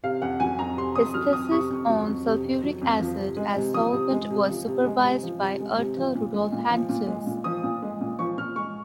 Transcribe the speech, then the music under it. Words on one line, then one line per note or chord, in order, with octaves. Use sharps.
His thesis on sulfuric acid as solvent was supervised by Arthur Rudolf Hantzsch.
C3 F5
F2 F#5
F#3 G#5
F2 A#5
C3 C6
F2 D#6
F#3 F6
F2 D#6
C3 C#6
F2
F#3
F2
C3
F2
F#3
F2
F3
C3
G#3
C3
F3 D#6
C3
G#3
C3
F3
C3
G#3
C3
F3
C3
G#3
C3
F3
A#2
G#3
A#2
F3
A#2
G#3
A#2
F3 D#6
A#2
G#3
A#2
F3 C#6
A#2 F6
G#3 C#6